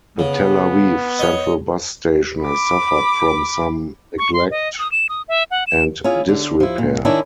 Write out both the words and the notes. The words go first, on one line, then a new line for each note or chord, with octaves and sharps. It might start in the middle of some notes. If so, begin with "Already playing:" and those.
The Tel Aviv Central Bus Station has suffered from some neglect and disrepair.
C#3 B3
C#5 D#5
B5 D6
C#6
C6
D#5
D#6
E7
D#6
E5
F#5
E7
C#4 E4 F4 G#4
D3
F3 E4
A#2
D#3 C#4 D4 E4